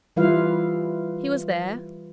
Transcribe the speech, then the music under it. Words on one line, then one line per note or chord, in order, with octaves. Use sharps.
He was there?
E3 G3 E4 F4 B4 F5